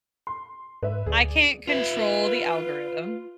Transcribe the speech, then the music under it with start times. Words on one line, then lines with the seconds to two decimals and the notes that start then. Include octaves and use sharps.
I can't control the algorithm,
0.27 C6
0.83 G#2 B4 E5
1.07 D2 G#4 D5
1.67 F4 B4 E5